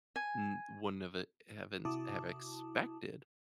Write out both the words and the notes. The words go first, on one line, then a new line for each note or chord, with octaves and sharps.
n wouldn't have ev haven't have expected,
G#5
C3 E4 F#4 A5 D6 D#6